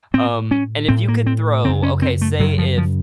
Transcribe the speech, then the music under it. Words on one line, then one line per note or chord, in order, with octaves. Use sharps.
Um, and if you could throw okay, say if
A2 C4
C#4
A2 C4
A#3
C4
F#2 C#3 C4
C#4
C4
A3
F#2 C#3 F#3
F3
F3